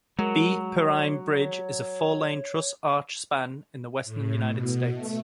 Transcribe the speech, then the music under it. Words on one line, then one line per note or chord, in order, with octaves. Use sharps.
B. Perrine Bridge is four-lane truss arch span in the western United States.
F#3 G#3 A#4
C#5
C#5
A2
B2
A3